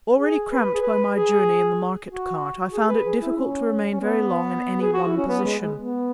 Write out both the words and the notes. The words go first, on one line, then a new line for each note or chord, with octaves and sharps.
Already cramped by my journey in the market-cart, I found it difficult to remain very long in any one position.
G#4
B4
G#4
B4
G#4
F#4
G#4
B4
G#4
E4
C#4
C#4
B3
G#4
F#4
E4
C#4
B3
G#3
G#3
B3